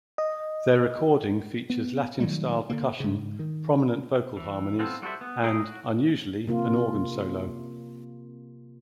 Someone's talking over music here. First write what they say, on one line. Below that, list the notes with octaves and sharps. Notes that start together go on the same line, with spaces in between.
Their recording features Latin-style percussion, prominent vocal harmonies, and, unusually, an organ solo.
D#5
B3
D#3 F#3 G3 A3
D3 A#3
G#2 C#3
D#3
E3
B3 C4 F4 A4
G3 F#4 A4 C5 E5
B3
A3 D#4 G#4 A#4 D#5
F#4
C3 A#3 F4